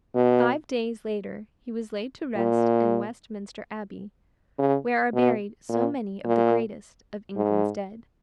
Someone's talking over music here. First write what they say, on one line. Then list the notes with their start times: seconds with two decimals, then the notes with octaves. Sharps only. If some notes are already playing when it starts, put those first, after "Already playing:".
Five days later he was laid to rest in Westminster Abbey, where are buried so many of the greatest of England's dead.
0.15 B2
2.36 A#2
4.58 C#3
5.14 B2
5.69 A#2
6.24 A#2
7.36 G#2